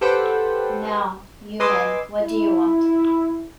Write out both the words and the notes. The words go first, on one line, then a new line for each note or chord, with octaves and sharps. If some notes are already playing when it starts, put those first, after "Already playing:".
Now, you men, what do you want?
G4 A4 B4 C5 F#5 G5
B4 D#5 G#5 C6 D6 E6
E4